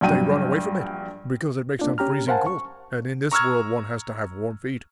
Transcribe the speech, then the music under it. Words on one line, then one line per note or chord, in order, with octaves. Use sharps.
They run away from it, because it makes them freezing cold, and in this world one has to have warm feet.
A#1 G2 F#3 G5 D#7
A#3 D4 F4
C#4 G4 A#5 F6
A#4 C5 F5 F#5 G#5 A5
C#6
A#5 C#6 E6 F6 G#6